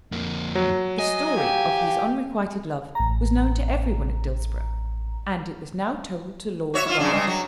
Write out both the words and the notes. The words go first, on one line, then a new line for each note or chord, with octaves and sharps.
The story of his unrequited love was known to every one at Dillsborough and it was now told to Lord Rufford.
F2 A#3
F#3
D#5 G#5
G4 F5
A1 A#5
F#4 C#5 E5
E4 F4
F#2 C#3 D4
G2 C#3 G#3
F#3